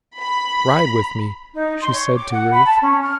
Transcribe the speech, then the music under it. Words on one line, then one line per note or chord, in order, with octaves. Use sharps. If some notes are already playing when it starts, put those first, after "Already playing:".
"Ride with me," she said to Ruth.
B5
D#4
C6
C#5
D6
F#5
B5
A5
C#4
F6